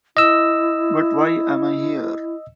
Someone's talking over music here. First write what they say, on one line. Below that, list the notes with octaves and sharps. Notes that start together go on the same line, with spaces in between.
But why am I here?
E4 D#5 E6